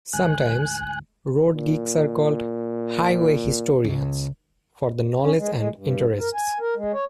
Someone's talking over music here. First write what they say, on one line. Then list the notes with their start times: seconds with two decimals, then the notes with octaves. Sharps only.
Sometimes, road geeks are called "highway historians" for the knowledge and interests.
0.13 D2 G#2 G#5 F#6
1.54 A#2
3.85 C#2
5.20 C#4
5.38 G#3
5.56 G#3
5.76 G2
6.06 G#2
6.19 A#4
6.34 G#5
6.60 A#4
6.76 G#3
6.93 C#5